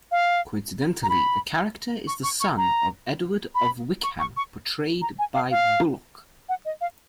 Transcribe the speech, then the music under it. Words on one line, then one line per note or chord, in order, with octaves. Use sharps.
Coincidently the character is the son of Edward of Wickham portrayed by Bulloch.
F5
A#5
B5
C#6
C#6
C#6
A#5
B5
C#6
C#6
C#6
A#5
G#5
F5
F5
F#5
D#5
F5